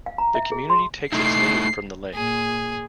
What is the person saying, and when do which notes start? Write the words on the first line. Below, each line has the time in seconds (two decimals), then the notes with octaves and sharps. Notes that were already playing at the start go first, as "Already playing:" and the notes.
The community takes its name from the lake.
0.06 F5
0.18 A#5
0.35 E5
0.52 G#4
0.70 C6
1.12 A3 D#4 E4 C7
2.14 A#2 G#4